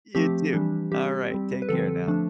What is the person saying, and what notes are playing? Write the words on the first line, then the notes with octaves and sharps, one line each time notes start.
you too, alright, take care now.
F3 A3 C4 G4
E3 G3 D4
G3 C4 G4
G3 C4
B4
D3 F3 C4 A4
F3 A3 D4